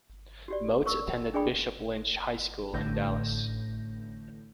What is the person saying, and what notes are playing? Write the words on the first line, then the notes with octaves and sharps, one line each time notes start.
Moats attended Bishop Lynch High School in Dallas.
F#4 G4 D5
A#4 C#6 E6
D4 G#4 D5 G5 B5 D#6
A1 A2 D3 A3 G6 A#6